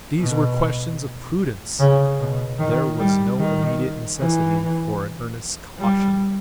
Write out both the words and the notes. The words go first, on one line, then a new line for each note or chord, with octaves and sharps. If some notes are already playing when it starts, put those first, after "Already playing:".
These were questions of prudence; there was no immediate necessity for an earnest caution.
B2
C#3
B2
D#3
G3
D#3
E3
G3